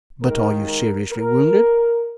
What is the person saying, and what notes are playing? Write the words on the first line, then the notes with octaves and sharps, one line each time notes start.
But are you seriously wounded?
D#2 D#3 G#3 A#4
A#4
A#4